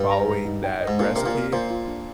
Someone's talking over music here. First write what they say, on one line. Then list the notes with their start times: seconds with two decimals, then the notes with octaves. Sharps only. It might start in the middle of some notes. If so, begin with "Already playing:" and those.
following that recipe.
Already playing: G2
0.10 A#5
0.28 A#5
0.45 D#4
0.64 G5
0.81 D#5
0.87 G#2
0.99 A#2 D4
1.16 C3 A#4
1.26 A#2
1.35 A#4
1.53 A#2 C5
1.71 F4
1.88 D4